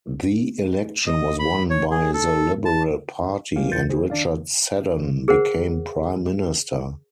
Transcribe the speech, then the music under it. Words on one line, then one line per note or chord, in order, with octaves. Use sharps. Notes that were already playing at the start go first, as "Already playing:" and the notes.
The election was won by the Liberal Party, and Richard Seddon became Prime Minister.
D#5
B5
C#5
G#4
A4
A5
G3 G#3 A#3 C#4 G4 F5
E2 E3 F4 G6 A6 C#7
G4 G#4 C5
D#3 D4 D5 F5
G#4 A#4 C5 F#5